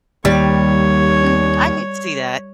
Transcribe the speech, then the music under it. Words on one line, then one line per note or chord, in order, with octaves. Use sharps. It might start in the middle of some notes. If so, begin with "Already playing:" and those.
Mm, I could see that.
D#2 G3 C#5